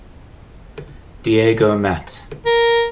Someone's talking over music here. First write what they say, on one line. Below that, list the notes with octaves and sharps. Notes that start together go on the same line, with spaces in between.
Diego Mat.
A#4